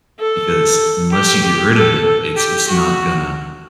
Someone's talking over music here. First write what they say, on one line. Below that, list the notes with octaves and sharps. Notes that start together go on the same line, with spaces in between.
because unless you get rid of it, it's it's not gonna
A4
G4
G4
A4
A4
G4
F#4